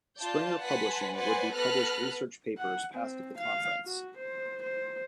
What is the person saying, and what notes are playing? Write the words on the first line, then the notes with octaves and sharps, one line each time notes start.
Springer Publishing would be published research papers passed at the conference.
F4 D5 A5 G6
B4 F#5 G#5 A5 C6 B6
B4 C5 D5 F#5 G#5 C6
B3 A4 B4 F6 F#6 A#6
F#5
C4
F5
F#4
C5
C5